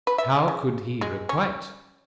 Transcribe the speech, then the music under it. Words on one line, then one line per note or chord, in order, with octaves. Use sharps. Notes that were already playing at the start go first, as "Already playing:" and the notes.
How could he requite!
B4
E5
C#3
G#3
C#4